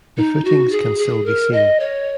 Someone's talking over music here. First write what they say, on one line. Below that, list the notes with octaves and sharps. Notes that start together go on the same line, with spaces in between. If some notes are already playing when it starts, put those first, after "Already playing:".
The footings can still be seen.
D#4
F#4
G#4
G#4
A#4
D#5
C#5